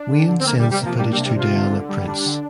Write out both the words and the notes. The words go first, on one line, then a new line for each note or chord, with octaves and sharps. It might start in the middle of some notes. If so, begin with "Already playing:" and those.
Wayne sends the footage to Diana Prince.
Already playing: D4
D3
D3
C4
C3 A#3
G3
C3
G3
A#3
F3
G3 D4
G3
C3
G3
C3 F4
D3
D3
G3
D4
D3